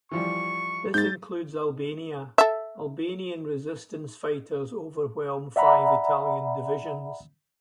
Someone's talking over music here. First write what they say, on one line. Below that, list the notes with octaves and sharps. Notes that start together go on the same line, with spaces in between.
This includes Albania; Albanian resistance fighters overwhelm five Italian divisions.
E3 F3 G3 C#6
G#2 G6 A6
A4 E5
D5 E5 F#5 A#5 B5